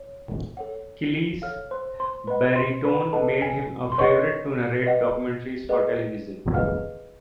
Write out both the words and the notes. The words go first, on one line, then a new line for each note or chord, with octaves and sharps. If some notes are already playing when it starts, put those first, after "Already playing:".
Kiley's baritone made him a favorite to narrate documentaries for television.
Already playing: C#5
A4 C#5 F#5
A4 C#5 F5 F#5 F6
C5 C6
C5 C6
B4 D#5 F#5 B5
C5 C6
B4 B5
A4 B4 D#5 F#5 A5
G#5
C6
B4 C#5 D#5 F#5 C#6
B4 D#5 F#5
G#4 B4 D#5 F#5
G#4 B4 D#5 F5 F#5 F6